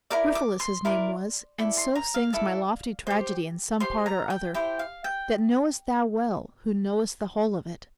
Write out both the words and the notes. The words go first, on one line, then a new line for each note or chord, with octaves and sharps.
Eryphylus his name was, and so sings My lofty Tragedy in some part or other; That knowest thou well, who knowest the whole of it.
E4 A#4 D5 D6
D6
C6
E4 A#4 D5
E4 A4 D5
C6
A#5
F5
E4 A4 D5
G4 C5
G4 C5 C6
A#5
G5
E4 G4 C5 G5
F5
G5